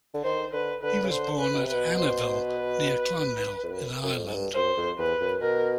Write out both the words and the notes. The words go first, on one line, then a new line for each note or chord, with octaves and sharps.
He was born at Annerville, near Clonmel in Ireland.
D3
D#3 C5
D3 B4
D3 B4
C#3
D3 C5
B4
B2
C3
B4
B2
C5
B4
F2
F#2
F#2
F2
G#2
G2
F#2 C5
F2
E2 B4
F#2
B2 A#4